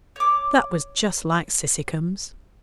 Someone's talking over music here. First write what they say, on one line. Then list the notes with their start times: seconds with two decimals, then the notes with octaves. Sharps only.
That was just like Cissycums.
0.16 C#5 D6